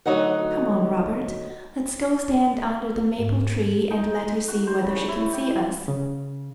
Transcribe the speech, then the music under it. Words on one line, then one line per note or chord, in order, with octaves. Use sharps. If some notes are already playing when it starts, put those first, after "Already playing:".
"Come on, Robert, let's go stand under the maple tree and let her see whether she can see us."
D2 F#3 D#4 D#5 F#5
G#2
D#4
F#4
C5
C#3
C#3
E4
G4
C#3